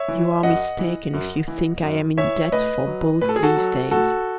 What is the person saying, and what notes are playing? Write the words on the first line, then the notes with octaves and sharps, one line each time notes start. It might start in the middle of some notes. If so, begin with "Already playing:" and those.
You are mistaken if you think I am in debt for both these days.
Already playing: C#5 E5
E3
F#2 D#5 F#5
E3
F#2
E3
F#2
E3 C#5 E5
A2 B4 D#5
F#3
A2 B4
A4
G#4
F#4 A4
F#3
A2 F#4 A4